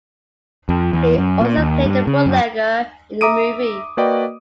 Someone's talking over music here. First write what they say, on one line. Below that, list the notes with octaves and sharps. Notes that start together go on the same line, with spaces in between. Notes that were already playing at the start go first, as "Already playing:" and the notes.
He also played the bootlegger in the movie.
F2
E2
F#2
A#2
D#2
G2
C#3
F#2
E5 A#5 D6 D#6 D7 D#7
A#3 F#4 B4 D5 D#5 G5